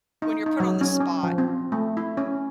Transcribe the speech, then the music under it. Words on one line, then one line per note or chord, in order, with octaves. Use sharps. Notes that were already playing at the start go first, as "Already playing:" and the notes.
When you're put on the spot
D#4
D#4
F#3
C#4
C#4
F3
C4
A3
E4
C#4